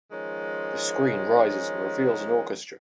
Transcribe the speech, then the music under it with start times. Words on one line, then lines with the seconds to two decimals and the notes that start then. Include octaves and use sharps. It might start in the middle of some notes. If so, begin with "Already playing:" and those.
The screen rises and reveals an orchestra.
0.11 D#3 F3 G#3 C#4